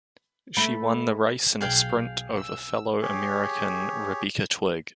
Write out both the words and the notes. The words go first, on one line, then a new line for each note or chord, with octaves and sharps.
She won the race in a sprint over fellow American Rebecca Twigg.
A3 B5
B1 G#4 F5 G5
E6
G4 G#4 C#5